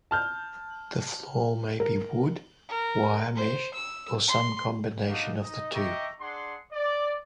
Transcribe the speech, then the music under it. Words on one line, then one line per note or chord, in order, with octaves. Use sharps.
The floor may be wood, wire mesh, or some combination of the two.
A5 F6 G6
A#4
A#4
C5
E6
C6
B3 D4 D#4 F#4 D#5 F5
D#4 D#5
D#5 E5 G5 A#5 C#6 D6
D4 G#4 F#5 C6
D5